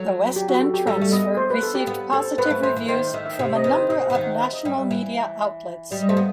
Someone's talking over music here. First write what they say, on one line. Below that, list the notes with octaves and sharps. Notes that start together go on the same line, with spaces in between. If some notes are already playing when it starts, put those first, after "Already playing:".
The West End transfer received positive reviews from a number of national media outlets.
Already playing: F#3 A4
G4
F#4
A4
G4
G3 A4
A3
B3 D#5
C5
B4
A4
G4
B3
C4 A4
B3 B4
A3
E3 C5
E3
D#3 C5
C5
D#3 E5
E5
C3
D#5
D#3 B4
C5
C3 D#5
E3 E5
D#3
F#5
E5
D#5
G3 E5
E5
E3
G3 D#5
D#5
A3 C5
B3